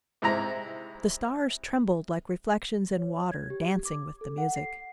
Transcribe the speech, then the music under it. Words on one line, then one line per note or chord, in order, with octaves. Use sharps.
The stars trembled like reflections in water, dancing with the music.
G#2 C3 E4 A#5
C#5
G#6
G4
D6
A4
F#5
C7